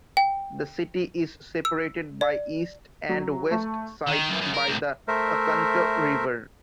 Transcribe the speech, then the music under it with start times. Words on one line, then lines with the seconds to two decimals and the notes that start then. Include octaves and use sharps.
The city is separated by east and west sides by the Oconto River.
0.17 G5
1.65 E6
2.21 D5
3.09 F#3
3.51 A3
4.07 D#3
4.29 F#2 E3
4.41 F#2
4.54 A#4
4.67 C#2 A2
5.08 A3 A#4 C5 E5